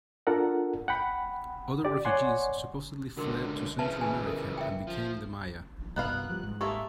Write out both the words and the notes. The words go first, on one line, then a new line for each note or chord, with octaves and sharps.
Other refugees supposedly fled to Central America and became the Maya.
D4 F4 A4 A#4 F#5
F#5 G5 B5
G4 D5
C#5 D5 F#5 G#5 C6
C#2 D3 F#4 A#4 C6
C#3 E3 B4 E5 A5
B4 G#5
A4 A#4
E5 G5
F3
C2 G2 B2 D#3 B3 F5 F#6
F3 G3
G#2
G#3 A#3 G4 A4 E5